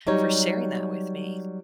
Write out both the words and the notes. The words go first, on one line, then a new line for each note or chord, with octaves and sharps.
for sharing that with me.
F#3 G3 D#4 C#5